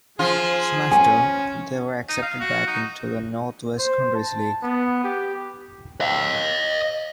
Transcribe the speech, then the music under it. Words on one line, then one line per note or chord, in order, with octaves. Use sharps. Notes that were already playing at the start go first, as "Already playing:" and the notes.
Soon after, they were accepted back into the North West Counties League.
F3 F4 G#4
C#4 G#5
D#4
F5
F#4
D#4
C5
A5
B3
G4
D#5 F5